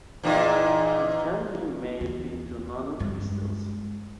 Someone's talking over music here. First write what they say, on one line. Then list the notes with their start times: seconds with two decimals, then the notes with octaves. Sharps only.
It can be made into nanocrystals.
0.23 E2 A#2 D#4
2.01 E2
2.99 G2 G#3